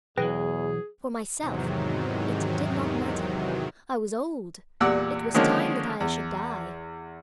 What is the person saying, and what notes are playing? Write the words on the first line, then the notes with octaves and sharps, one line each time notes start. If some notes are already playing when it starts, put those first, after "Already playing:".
For myself it did not matter. I was old, it was time that I should die.
B1 E2 E3 F#3 G#4 B4 G5 A#6
E2 G#2 C3 D#3 F#3
E2 A#2 G3 D5 F#5 E6
D3 D#3 F3 G#3 A#3 C#4
E2